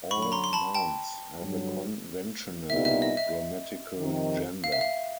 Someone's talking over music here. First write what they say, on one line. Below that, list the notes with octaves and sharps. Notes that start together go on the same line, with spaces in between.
All nouns have a conventional grammatical gender.
F#2 D3 F#3 B5 C#6
B5
A#5 C6
C6
A5 B5
G5 A5
G2 D3 F#3
C2 A#2 G3 B3 D#4 E5
E5
D#5
E5
F2 C3 D#3
F5
E5
F5